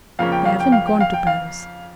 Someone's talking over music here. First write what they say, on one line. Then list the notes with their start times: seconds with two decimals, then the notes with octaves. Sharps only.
They haven't gone to Paris.
0.19 F2 C#3 F3 A#3 C#4 F5
0.32 G5
0.46 F5
0.60 G5
0.72 F5
0.87 G5
1.00 F5
1.13 G5
1.27 F5